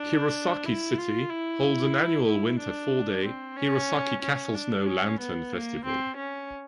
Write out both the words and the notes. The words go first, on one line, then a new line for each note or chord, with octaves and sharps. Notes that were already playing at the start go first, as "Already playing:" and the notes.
Hirosaki city holds an annual winter four-day "Hirosaki Castle Snow Lantern Festival".
Already playing: D4
E4
F4
E4
E4
D4
C4
C#4
C#4
D4
C#4
B3
A#3
C4
C#4